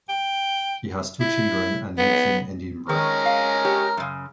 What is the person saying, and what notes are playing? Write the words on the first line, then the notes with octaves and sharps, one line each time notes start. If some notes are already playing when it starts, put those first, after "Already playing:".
He has two children and lives in Edinburgh.
G5
E4
B3
D#3 G#3 C#4 A#4
F5
G4 C#5
F#2 C#3